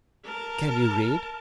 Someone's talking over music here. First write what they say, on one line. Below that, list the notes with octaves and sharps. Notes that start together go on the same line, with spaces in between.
"Can you read?"
A#4 A5